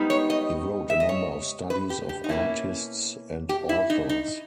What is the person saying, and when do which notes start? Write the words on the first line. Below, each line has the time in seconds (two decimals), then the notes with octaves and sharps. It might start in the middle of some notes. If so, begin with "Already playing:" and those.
He wrote a number of studies of artists and authors.
Already playing: G#2 G3 B3 D#4
0.10 C#5
0.30 D#5
0.90 E5
1.00 D#5
1.09 C#5
1.70 B4
1.90 G4
2.09 G4
2.24 D#4
2.29 B2 A#3 C#4 E4
3.49 G4
3.69 E4
3.90 D#4
4.09 D#4